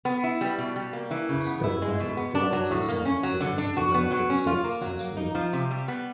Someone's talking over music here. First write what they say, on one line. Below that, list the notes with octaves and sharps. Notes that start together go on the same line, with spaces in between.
Stormare divides his time between the United States and Sweden.
B3
E4
G3
B2
G3
A#3
E3
C#3
B3
E4
G#3
B2
B3
D4
F#3
A2
A#3
C#4
F#3
D3
D4
F#4
B3
F#3
C#4
F4
A#3
F#3
A#3
D#4
F3
C3
G3
B3